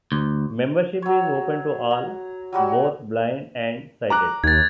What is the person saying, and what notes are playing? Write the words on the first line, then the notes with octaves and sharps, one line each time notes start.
Membership is open to all, both blind and sighted.
D2
F#3 C#5
A#5
F#3 G3 F#4
A#5 D6 F#6
D#2 G#6 A6